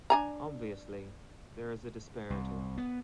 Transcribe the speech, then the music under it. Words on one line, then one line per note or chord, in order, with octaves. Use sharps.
Obviously, there is a disparity.
D4 G#5 A#5
C2
B3